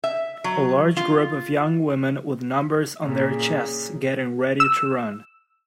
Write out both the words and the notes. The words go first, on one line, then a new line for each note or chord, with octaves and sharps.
A large group of young women with numbers on their chests getting ready to run.
E5
F#3
F4
A#2 C#3
E6